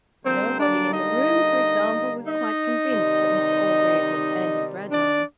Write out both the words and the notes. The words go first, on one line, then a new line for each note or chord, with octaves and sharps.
Nobody in the room, for example, was quite convinced that Mr Orgreave was anti-Bradlaugh.
D3 G3 A#3 C4 C5
D4 D5
D#4 D#5
D#4 D#5
C3 D#3 G3
D4 D5